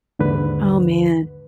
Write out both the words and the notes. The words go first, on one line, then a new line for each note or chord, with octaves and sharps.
Oh, man.
D#2 G#2 D3 B4